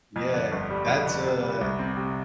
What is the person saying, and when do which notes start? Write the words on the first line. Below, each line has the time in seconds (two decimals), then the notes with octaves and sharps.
Yeah. That's a
0.16 F2
0.34 D3
0.52 G1
0.70 G3
0.88 F2
1.06 D3
1.24 C3
1.43 G3
1.61 C2
1.79 C4
1.97 C3